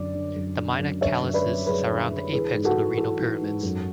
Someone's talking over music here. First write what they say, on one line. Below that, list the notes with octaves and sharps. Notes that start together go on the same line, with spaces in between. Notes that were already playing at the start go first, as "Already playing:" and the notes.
The minor calyces surround the apex of the renal pyramids.
Already playing: F#2 D3 D5
D3
F#2
D3
F#2
D3 C#5 E5
F#2
B4 D5
F#2
F#2 G#4 B4
D3
D3
E3 G#4 B4
G#2
F#4 A4
E3
E3 F#4 A4
E3
G#2
F#2